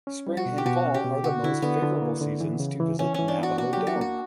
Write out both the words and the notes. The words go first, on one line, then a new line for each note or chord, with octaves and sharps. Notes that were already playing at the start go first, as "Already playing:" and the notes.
Spring and fall are the most favorable seasons to visit Navajo Dome.
C#4
G3
F#4
B2
G4
B2 F#4
C#4
G4
B2
D3 F#4
D3 E4
D3 B3
D3
A#3
D3
E3
C#3
E3
E3 C#4
E3 C#4
D4
B3 F#4
A#3 F#4
F#3 G4
F#4
A#3
F#4